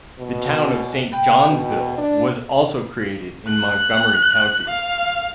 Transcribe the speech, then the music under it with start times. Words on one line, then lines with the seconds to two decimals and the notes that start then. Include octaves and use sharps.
The Town of Saint Johnsville was also created in Montgomery County.
0.19 B2
0.70 C#4 D4
1.12 B4 G5
1.48 B2
1.98 D4
3.49 F#6
4.68 F5